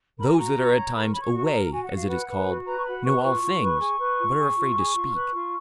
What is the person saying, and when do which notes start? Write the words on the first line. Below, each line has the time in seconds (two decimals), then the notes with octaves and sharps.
Those that are at times 'away,' as it is called, know all things, but are afraid to speak.
0.17 A#4 B5
0.24 A#5
0.31 G#5
0.36 F#4 A#5
0.55 F#4
0.75 C#5
0.93 A#4 B5
1.01 C#6
1.10 C#5 B5
1.18 C#6
1.32 F#4
1.44 A#5
1.51 A#4
1.70 F#4 G#5
1.82 F#5
1.89 F#4
1.94 F5
2.06 B4 F#5
2.27 B4
2.46 F#4
2.65 B4 A#5
2.78 C#6
2.84 F#4 B5
3.03 B4 C#6
3.22 F4 C#6
3.42 F4
3.61 B4
3.80 G#4
3.99 B4
4.18 F4
4.37 G#4
4.56 F4
4.76 G#4
4.94 F4
5.13 B4
5.33 F4